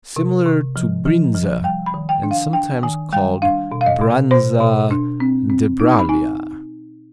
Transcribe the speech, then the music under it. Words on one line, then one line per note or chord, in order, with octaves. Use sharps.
Similar to Brinza and sometimes called Branza de Bralia.
C3
C3
F3
F3
F3
G3 G5
B5
D#3
G5
D4
F5
D4 G5
D#3 G#5
G3 G5
D4 F5
B2
F5
D#5
B2
B2 C5
B2
D4
C4
C4
D#4
B5
D#4 G#5